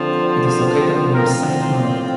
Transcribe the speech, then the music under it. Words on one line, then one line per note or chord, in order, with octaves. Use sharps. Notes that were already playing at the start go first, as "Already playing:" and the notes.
It is located near Saint-Malo.
Already playing: D3 F3 C4
A4
A2 F3 C4 F4 A#4
C5